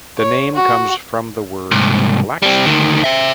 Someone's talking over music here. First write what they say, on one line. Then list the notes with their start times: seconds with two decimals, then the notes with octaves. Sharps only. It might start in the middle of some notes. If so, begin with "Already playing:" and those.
The name comes from the word "blacksmith".
0.18 C#5
0.54 F#4
1.71 C2 G#2
2.42 G3 C4
2.66 D2 D#3
3.04 C5 E5